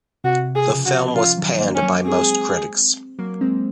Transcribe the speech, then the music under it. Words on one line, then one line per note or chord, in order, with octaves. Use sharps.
The film was panned by most critics.
C3 F#4
G#4
C#3 F3
F#4
C#3 F3 F4
D#3 F#3
F#3 A#3
C#4
F#3 A#3
G#3 C4 G#4
F#3 A#3
G#3 C4